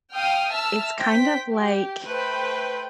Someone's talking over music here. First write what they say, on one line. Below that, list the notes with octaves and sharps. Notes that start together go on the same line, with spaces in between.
It's kind of like,
F5 G5 D#6 F6
E5 A5 E6 F6
C5 G5 B6
G4
A3 B4 C5 G5